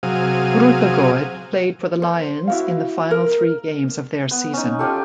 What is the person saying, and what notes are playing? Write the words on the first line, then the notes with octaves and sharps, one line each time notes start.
Grootegoed played for the Lions in the final three games of their season.
C3 F#3 G#4 F5 D#6
C5
E4 F#4 F5
A#4
B3
C#4 D#4
C#4 F4 G4 A4